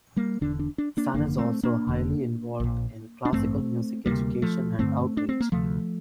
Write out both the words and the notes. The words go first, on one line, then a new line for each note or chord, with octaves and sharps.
Sun is also highly involved in classical music education and outreach.
G3 A#3
E1 E2 D3 D4
D4
D4
A#3 D4
G1 F2 D3 A#3 D4
A3 C4
A#3 D4
F1 F2 D3
A#1 A#2
D4
A1 G2 D3 A3 C4
D2 C3 G3 A#3
F3 A3
A1 G2 D3 A3 C4
D4
C4
A#3
D2 C3 F3 A3